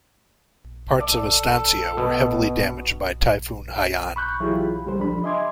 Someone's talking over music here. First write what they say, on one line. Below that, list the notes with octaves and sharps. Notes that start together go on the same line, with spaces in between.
Parts of Estancia were heavily damaged by Typhoon Haiyan.
A4 D5
B2
B5 C#6 F#6 G6
E3 F#3 E4 F4 G4 G#4
B5
C#2 G3 G4 A4 C5
F3 D4 B5
D#5 E5 G#5 C6 D6 G#6